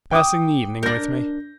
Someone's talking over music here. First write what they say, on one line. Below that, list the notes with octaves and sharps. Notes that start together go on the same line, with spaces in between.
Passing the evening with me.'
G5 D6 D#6
D4 A#4 G6 A#6